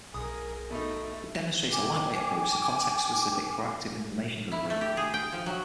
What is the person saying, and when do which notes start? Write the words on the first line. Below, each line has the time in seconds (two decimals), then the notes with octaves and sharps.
It demonstrates a lightweight approach to context-specific proactive information delivery.
0.14 B1 G#4 A#4 D#6
0.71 B2 A3 D#4
1.71 G5 G#5 D6
4.52 E4
4.70 A3
4.81 G4
4.97 G#4
5.14 G5
5.32 F3
5.46 F#3